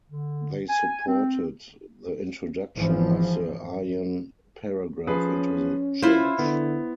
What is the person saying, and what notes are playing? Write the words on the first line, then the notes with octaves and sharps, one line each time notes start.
They supported the introduction of the Aryan Paragraph into the Church.
D3
G#5
C4
G#1 E3 F3
F3 C#4 G#4 B4
E4 F4 C5
D3 B3